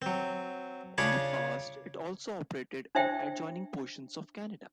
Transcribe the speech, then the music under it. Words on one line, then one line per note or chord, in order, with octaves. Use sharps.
In the past, it also operated in adjoining portions of Canada.
F#3 C4
C#3 D4 F4 G#4 C#5 B5
D4 C5 E5 G5